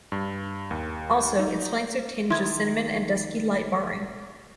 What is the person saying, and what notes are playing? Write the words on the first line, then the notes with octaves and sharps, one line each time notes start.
Also, its flanks are tinged with cinnamon and dusky light barring.
G2
D#2
D#4
D#3 E4 C6 G#6